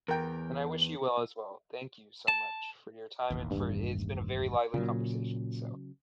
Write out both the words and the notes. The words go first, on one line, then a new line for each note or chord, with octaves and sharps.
And I wish you well, as well. Thank you so much for your time and for it's been a very lively conversation, so
E2 A#4 G5
A5
E1 A1 D#2
G2
A#2 C#3 F#3